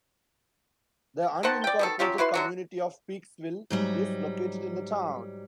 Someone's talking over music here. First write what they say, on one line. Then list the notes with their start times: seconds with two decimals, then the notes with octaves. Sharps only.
The unincorporated community of Peeksville is located in the town.
1.43 D#3 C5 F#5 A5
1.64 D5 G5
1.79 B2 D#3 A4
1.99 F#3 C#4 F4 G4
2.18 E4 F#4 B4 C6
2.34 D3 F#3 F#4
3.70 G#2 F#3 G3